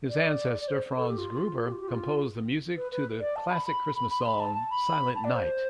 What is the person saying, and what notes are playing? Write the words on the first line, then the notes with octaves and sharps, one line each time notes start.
His ancestor, Franz Gruber, composed the music to the classic Christmas song Silent Night.
D5
D5
C5
A4
G4
F4
F4
G4
F4
G4
F4
B4
B4
D5
A5
B5
B5
B5
B5
C6
B5
A5
A5
B5
A5
D5
C5